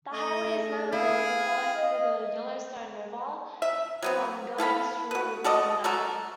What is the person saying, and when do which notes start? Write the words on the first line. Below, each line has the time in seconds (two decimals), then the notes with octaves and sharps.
The Highway is notable for following the Yellowstone River from Billings through Glendive.
0.12 A3 D#5
0.55 G#4
0.93 E4 G#4 F5
1.76 D#5
3.62 E5
4.02 F#3 B3 C4
4.58 E4 A4 F5 B5
5.11 F#4 B4
5.44 F#4 A4 D5 D#5
5.84 F#3 F#4 A4 A#4